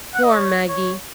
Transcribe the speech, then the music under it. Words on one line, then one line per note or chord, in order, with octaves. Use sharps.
Poor Maggie!
F#5
D#5
C#5
C#5